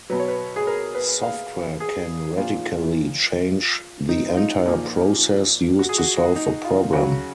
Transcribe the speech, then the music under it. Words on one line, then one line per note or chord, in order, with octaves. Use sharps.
Software can radically change the entire process used to solve a problem.
B2 F#3 B4
C#5
B4
G#4
A#4
B4
F5
G#4
A#2 F3 F4
D#4
F4
D#4
A#2 F3
F#4
G#4
F#4
D#4
F4
C#3 F#3 F#4